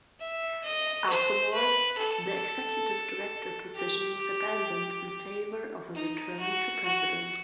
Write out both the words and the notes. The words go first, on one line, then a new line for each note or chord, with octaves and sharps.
Afterwards, the Executive Director position was abandoned in favor of a return to "President".
E5
D#5
C5
B4
A4
G4
D#4
F#4
F#4